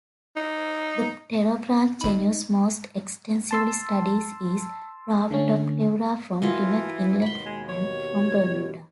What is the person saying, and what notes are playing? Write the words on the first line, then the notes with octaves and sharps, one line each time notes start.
The Pterobranch genus most extensively studied is "Rhabdopleura" from Plymouth, England and from Bermuda.
D#4
G#1 D#4 B5
A5 C6 E6
D3 A3 C#4
E3 F4 F#4 A4 A#4 D#5
D#2 B2 D#3 B5 C6
G#3
C#5